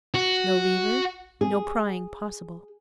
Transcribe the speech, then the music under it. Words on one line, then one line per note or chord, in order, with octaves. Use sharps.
No lever; no prying possible.
F#4
G#4